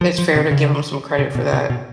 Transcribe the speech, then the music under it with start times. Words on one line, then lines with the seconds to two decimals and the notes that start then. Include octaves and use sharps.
it's fair to give 'em some credit for that.
0.01 F3
0.18 F3
0.35 C3
0.51 C#3
1.19 C3
1.35 B2
1.53 C3
1.70 B2